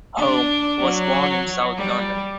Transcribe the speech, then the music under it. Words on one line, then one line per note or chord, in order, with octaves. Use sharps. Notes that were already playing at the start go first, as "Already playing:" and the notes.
Home was born in South London.
D4
F#3
G3